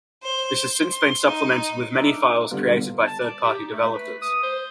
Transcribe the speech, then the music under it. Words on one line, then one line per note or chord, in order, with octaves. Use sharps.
This has since been supplemented with many files created by third party developers.
C5
C6
D#4
D4 D#4 A#4 E5 D6
D3 G3 B3 F4
A5
D5
G4
D#4
A3
B4
D#6
C5